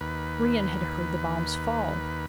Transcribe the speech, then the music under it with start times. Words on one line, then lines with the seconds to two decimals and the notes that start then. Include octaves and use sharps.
Brion had heard the bombs fall.
0.01 D#2 B4